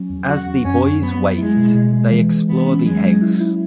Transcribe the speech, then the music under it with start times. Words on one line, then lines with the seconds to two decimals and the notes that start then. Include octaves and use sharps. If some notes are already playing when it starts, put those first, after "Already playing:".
As the boys wait, they explore the house.
Already playing: F#3 C#4
0.09 E2
0.27 F#3 F#4
0.46 E2
0.64 F#2 C#4
0.83 F#2
1.01 F#3 B3
1.20 F#3
1.38 G#3 E4
1.56 B2
1.75 B2
1.93 G#3
2.11 E3
2.30 E3
2.48 E3 B3
2.67 C#4
2.85 F#3 G#3
3.03 F#3
3.21 E4
3.40 E4